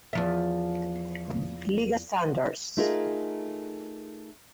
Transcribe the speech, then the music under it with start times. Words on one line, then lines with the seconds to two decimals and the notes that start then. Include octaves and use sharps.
Liga standards.
0.13 E2 F3 E5
2.77 A3 D#4 F4 G#4 A#4